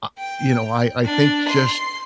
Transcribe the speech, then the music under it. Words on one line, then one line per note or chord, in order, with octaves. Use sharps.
Ah you know, I I think just
G5
D4
C6